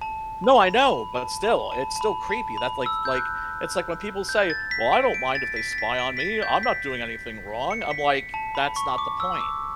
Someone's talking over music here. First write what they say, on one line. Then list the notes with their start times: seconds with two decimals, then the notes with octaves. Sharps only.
No, I know but still it's still creepy, thats, like like, it's, like, when people say, "Well, I don't mind if they spy on me. I'm not doing anything wrong." I'm, like, "That's not the point."
0.01 A5
0.44 B5
0.87 B5
1.15 A5
1.44 B5
1.72 A5
1.96 A5
2.01 B5
2.29 A5
2.57 B5
2.86 E6
3.05 G6
3.15 F#6
4.29 G6
4.50 A6
4.71 B6
4.93 D7
5.14 D7
5.35 A6
5.56 B6
5.73 A6
5.78 B6
5.99 D7
6.17 B6
6.20 A6
6.42 G6
6.63 B6
7.71 C#7
7.91 B6
8.34 A5
8.55 B5
8.76 C#6
8.98 D6
9.20 E6
9.41 D6